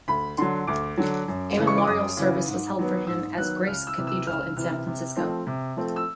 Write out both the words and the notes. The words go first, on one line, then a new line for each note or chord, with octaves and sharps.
A memorial service was held for him as Grace Cathedral in San Francisco.
D2 B5
D3 F#3 C6
D2 D6
D3 F#3
F#2
C#3 E3
C#6
D6
F#2 D#6
C#3 E3
G#2
D#3 F#3 B3
G#2 E6
D#3 F#3 B3 F#6
C#2 F6
E6
C3 E3
E6
C#2 F6
C3 E3 F6
C3
F3 A3 C4
C3
F3 A3 C4
E6